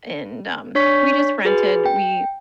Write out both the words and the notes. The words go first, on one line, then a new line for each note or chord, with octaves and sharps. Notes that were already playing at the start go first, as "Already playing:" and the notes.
and, um, we just rented we
D4 C#5 C#6 B6
F#4 G#4 B4
G5